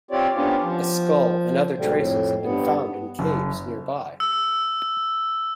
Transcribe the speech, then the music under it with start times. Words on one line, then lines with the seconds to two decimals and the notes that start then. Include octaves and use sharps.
A skull and other traces have been found in caves nearby.
0.11 C4 F4 G4 C#5 D5
0.36 B3 C#4 D4 F4 G4
0.61 F3
1.77 G#2 B2 D3 G3
1.93 F2 A2
2.42 G2 B3
3.19 F#1
4.20 E6